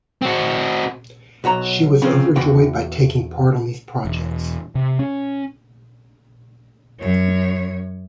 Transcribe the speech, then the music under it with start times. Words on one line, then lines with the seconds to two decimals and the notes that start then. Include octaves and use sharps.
She was overjoyed by taking part on these projects.
0.22 C4 F#4
1.44 B1 F#4 C#5 A#5
2.02 C#3 F3 C4 F4
2.36 E2 E3 F#4 G5
4.05 E1
4.75 C3
4.99 C#4
7.00 F#2 C#5